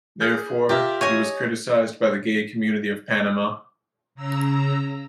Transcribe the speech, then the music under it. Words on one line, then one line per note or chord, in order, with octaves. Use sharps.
Therefore, he was criticized by the gay community of Panama.
G#4 F6 G6
F4 G4 A#4 E5
C#5 D#5 G#5
C#3 A#5 E6